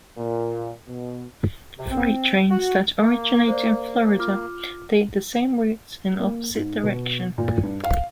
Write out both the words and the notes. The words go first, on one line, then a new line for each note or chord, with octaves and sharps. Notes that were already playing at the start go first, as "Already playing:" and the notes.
Freight trains that originate in Florida take the same routes in opposite direction.
A#2
B2
C3
C4
F#4
A#3
C5 D5
F4 D6 F6
A#3
G#2
B2
A#2
G2
F5